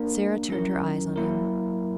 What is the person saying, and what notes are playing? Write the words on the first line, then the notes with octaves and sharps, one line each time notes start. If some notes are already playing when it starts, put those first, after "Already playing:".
Sara turned her eyes on him.
Already playing: A#3 D4 A#4
F#3 C#4 E4 A#4
F#3 A#3 E4 A#4